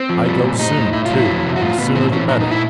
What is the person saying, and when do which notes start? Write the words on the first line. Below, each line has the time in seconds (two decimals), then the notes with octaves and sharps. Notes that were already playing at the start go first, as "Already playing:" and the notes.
I go soon, too, and the sooner the better.
Already playing: C4
0.09 F3
0.26 G3
0.43 A#2
0.59 A2 D#4
0.77 A2
0.93 A2 E4
1.05 F4
1.11 F#3
1.18 E4
1.28 F2
1.44 C3
1.56 F#4
1.61 A2 F4
1.78 A2 B3
1.95 E3 C4
2.12 E3 C#4
2.29 A#2 D#4
2.40 D#4
2.46 A#2
2.51 E4